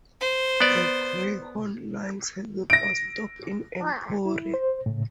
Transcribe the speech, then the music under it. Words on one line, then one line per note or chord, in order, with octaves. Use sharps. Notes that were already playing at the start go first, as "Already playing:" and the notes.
The Greyhound Lines has a bus stop in Emporia.
C5
B3 D5
A#6 D7
E4
C5
A2 C#3